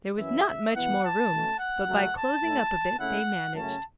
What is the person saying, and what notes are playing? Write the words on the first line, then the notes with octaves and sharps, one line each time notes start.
There was not much more room, but by closing up a bit they managed....
F#2 E3 C#4 E4 E5
E2 B2 B3 E4 F#5
A5
B2 A3 C#4
F#5
F#2 C#3 F#3 A3
A5
A2 A3 E4
C#3 A3 C#4 E4 F#5
F#2 C#3 A3 C#4 A5